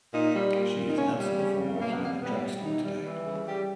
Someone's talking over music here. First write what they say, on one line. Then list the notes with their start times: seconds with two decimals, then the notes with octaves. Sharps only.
She is absent from working in the drug store today.
0.14 A#2 D#4
0.35 G3
0.55 A#2
0.76 A#2
0.88 D#4
0.97 C#3 C#4
1.18 G3
1.38 C#3 C#4
1.59 C#3
1.80 B2 A#3
1.92 B3
2.01 G3 A#3
2.21 G3 B3
2.43 B2
2.64 E3 D#4
2.85 G3
3.05 E3
3.26 C#3
3.46 G3 G4